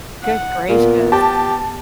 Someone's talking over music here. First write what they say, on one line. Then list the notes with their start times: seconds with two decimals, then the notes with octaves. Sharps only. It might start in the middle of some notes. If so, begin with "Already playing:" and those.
Good gracious.
0.23 F#5
0.69 A#2 B3
1.12 G4 A5